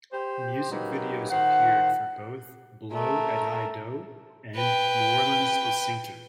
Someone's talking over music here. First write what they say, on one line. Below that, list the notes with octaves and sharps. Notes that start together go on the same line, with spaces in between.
Music videos appeared for both "Blow at High Dough" and "New Orleans is Sinking".
G4 C5
F#3 A#3 D#4 G4 B4
D#3 C5 F#5
A3 A#4
B4 G5